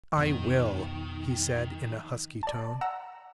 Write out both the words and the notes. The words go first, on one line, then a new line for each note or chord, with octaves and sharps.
"I will," he said, in a husky tone.
F2 B2 D#3
D5 A5
F#5 A#5 E6